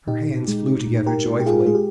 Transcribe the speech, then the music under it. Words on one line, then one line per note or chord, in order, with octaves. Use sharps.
Her hands flew together joyfully.
A#2 D#4 G4
G#3
A#2
G4 A#4
A#2
G4
F4 G#4
G#3 G#4
G4